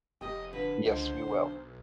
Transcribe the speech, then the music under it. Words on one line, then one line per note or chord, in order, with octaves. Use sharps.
Yes, we will.
F1 G4 D#5 G5
D3 B4
C#2 D3 C5 D#5
B1